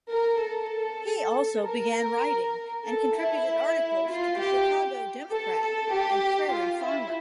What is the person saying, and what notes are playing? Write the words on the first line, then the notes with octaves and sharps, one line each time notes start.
He also began writing and contributed articles to the Chicago "Democrat" and "Prairie Farmer".
A#4
A4
A#4
A4
E4
F4
G4
A4
A4
G4
F4
E4